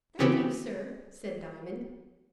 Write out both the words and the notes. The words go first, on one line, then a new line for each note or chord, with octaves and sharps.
"Thank you, sir," said Diamond.
C#3 E3 B3 C4 F#4 G4